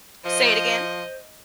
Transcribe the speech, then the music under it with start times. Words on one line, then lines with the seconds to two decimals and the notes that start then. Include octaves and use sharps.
Say it again?
0.25 F3 C5 D#5